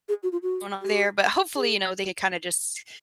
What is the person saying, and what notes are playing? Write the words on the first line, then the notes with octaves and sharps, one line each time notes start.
going on there, but hopefully, you know, they can kinda just
G#4
F#4
F4
F#4
G4
G#4